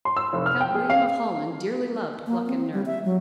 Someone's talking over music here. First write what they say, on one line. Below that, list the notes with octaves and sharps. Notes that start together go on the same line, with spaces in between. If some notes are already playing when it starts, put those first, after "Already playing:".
Count William of Holland dearly loved pluck and nerve.
C6
E6
F1
F6
G5
G#4
F5
A#3
C4
G3
E5
F#3